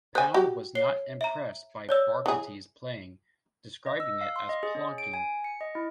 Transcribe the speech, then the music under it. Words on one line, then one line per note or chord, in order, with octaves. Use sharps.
Pound was not impressed by Borgatti's playing, describing it as "plonking".
C5 G#5 F#6
F#4 G4
C#5 C7 G7
E5 A#5
C#5 D5 E6
E3 G#4
D#5
E6
F5
C6
D#5
G#4
C#4
D7
G#5
C#7
D#5
E4